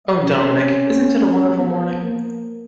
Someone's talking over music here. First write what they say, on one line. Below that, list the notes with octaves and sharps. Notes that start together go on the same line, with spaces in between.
Oh, Dominic, isn’t it a wonderful morning?
C#4
B3
A#3